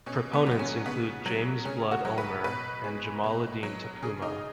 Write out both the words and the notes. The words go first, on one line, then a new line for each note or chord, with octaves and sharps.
Proponents include James Blood Ulmer and Jamaaladeen Tacuma.
B2 C#4
B3
F#3 B3
C#4
C#3 B3
F#3
C#3 C#4
F#4
F#3
B4
B2 B4
G#3
B2
F#3
C#3 G#4
D#4